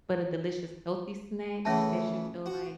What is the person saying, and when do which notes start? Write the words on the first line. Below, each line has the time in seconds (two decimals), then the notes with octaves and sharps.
but a delicious healthy snack that you feel like
1.65 C#3 E3 A3 C#4 E5 A5
2.46 F#4